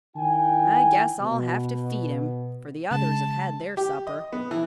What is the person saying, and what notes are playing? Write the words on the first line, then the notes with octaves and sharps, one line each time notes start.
"I guess I'll have to feed him, for the others have had their supper."
D#3 E4 G5 G#5
B2
C#3 G#3 A5
G4
D#5
B3
E3